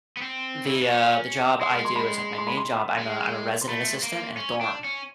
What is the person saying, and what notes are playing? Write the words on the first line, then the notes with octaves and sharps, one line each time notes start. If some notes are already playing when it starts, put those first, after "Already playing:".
the, uh the job I do is like my main job, I'm a I'm a resident assistant in a dorm.
B3
C4
E4
D#4
D4
C#4
G#3 C6
C6
B5
C6
B5
C6
G#3
C6
A3 B5
A#3
C#4
D4
C#4